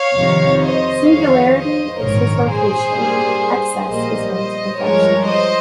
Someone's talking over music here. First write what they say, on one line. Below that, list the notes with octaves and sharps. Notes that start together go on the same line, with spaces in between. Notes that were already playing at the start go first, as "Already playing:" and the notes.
Singularity is his vocation, excess his way to perfection.
Already playing: C#5 F5
F2 C3 D#3
C5 D#5
F2 D#3 G#3 C#5 F5
C5 D#5
A#1 G#2 D#3 A#4 C#5
G#4 C5
G2 G3 A#3
A#1 A#2 G3 A#3 C5 D#5
C5 D#5
G2 F3 G#3 A#4 C#5
C5 D#5